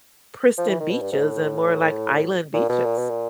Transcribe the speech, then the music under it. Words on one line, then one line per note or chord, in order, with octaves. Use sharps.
pristine beaches and more, like, island beaches."
F3
E3
D#3
B2
G2
G#2
A2
A#2
B2
A#2
B2
A#2